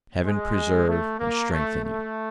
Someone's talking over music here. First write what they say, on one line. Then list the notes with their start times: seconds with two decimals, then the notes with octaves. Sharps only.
Heaven preserve and strengthen you!
0.24 G#3
0.88 A3
1.19 A#3
1.51 A3
1.83 A3